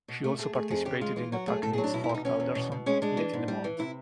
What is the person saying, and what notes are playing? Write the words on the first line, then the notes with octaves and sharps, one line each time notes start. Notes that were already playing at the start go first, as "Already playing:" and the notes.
She also participated in the attack against Fort Anderson late in the month.
B2
A3
A3 G#4
A3 G#4
F2 G#4
C#3 G4
G#3 F4
E3 F4
F#3 F#4
A3 G#4
A2 A4
G#4
F#3
D4
B2 E4
E4
B2
D#4
E2 C#4
E2
B2
B2
G#3 C#4
G#3 D4
E3
G#2
G3
E3
C3 E4